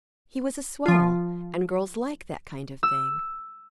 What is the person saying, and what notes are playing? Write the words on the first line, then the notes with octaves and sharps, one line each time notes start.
He was a swell, and girls like that kind of thing.
F3 F4
E6